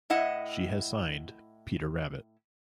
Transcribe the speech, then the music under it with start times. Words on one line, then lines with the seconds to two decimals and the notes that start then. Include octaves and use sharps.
She has signed "Peter Rabbit"!
0.10 A2 E4 D#5 F#5